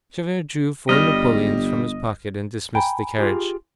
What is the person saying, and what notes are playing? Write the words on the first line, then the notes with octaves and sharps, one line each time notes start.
Javert drew four napoleons from his pocket and dismissed the carriage.
G1 G3 D#5 F6 A#6
G5 G#5 A#5 B5
F4 G4 G#4